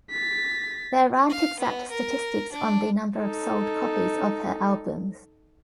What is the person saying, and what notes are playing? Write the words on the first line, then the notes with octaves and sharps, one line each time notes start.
There aren't exact statistics on the number of sold copies of her albums.
A6 B6
F5
B3
A#4
D4
D#4 A4